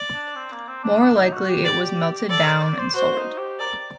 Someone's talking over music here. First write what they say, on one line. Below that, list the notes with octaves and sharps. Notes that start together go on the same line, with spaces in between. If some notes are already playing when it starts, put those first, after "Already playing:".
More likely it was melted down and sold.
Already playing: D5
D4
C4
A#3
C4
D4
D4
D#4
F#4
G4
D5
A4 D5
C5
D5
C5
F#4 C5
D#4
G4
A#4 D5